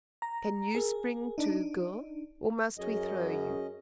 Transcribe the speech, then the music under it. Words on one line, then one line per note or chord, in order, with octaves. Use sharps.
"Can you spring too, girl, or must we throw you?"
A#5
G#4 A#4
D4 D#4
F#2 C#4 G#4 D#5